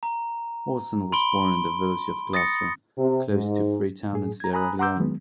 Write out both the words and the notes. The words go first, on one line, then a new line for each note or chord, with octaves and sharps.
Horton was born in the village of Gloucester, close to Freetown in Sierra Leone.
A#5
B5 C6 D7 G7
D#6 A6 A#6 C#7
C3
G#2
A2 G#4
A#5 G#6
G#5 A#5 B5 D#6 F#6
F#5 A#5 C6 D6 E6 G6
D#3 F#3 G#3 B3